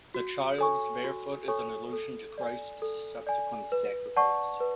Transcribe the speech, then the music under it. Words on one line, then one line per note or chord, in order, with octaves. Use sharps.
The child’s bare foot is an allusion to Christ’s subsequent sacrifice.
F#4
A4 C#5 G#5 C#6
F#4
A4 C#5 G#5 C#6
A4
D5 G#5
A4
D5 G#5
B4
D5 F#5 A5 C#6
B4